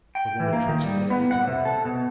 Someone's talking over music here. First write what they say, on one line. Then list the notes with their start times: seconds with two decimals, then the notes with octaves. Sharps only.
The woman tricks me at every turn!
0.15 G5
0.40 E3
0.53 A#3
0.68 D#3
0.83 G3
1.10 B3
1.31 F#5
1.47 C3
1.65 A4
1.85 B2